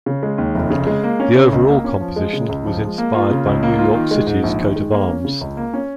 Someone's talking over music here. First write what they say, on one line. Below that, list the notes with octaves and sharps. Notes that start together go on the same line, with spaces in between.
The overall composition was inspired by New York City's coat of arms.
C#3
G#3
D#2
F1
C#3
G#3
A#3
C#4
C#3
C#2
A#3
C#4
F3
G#3
C#3
C#2
F3
G#3
A#3
F4
C#3
C#2
A#3
F4
D#3
G#3
G#2
A#1
D#3
G#3
A#3
C#4
C#3
C#2
A#3
C#4